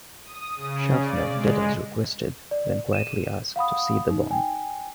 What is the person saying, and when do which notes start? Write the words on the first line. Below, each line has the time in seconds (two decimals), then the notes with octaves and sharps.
Schaffner did as requested, then quietly asked to see the bomb.
0.24 D#6
0.56 C#3
1.01 D5
1.32 G#3
2.51 D5
2.93 D#7 E7
3.56 F5 F#5 B5 D#6
4.10 D#4
4.31 G5 G#5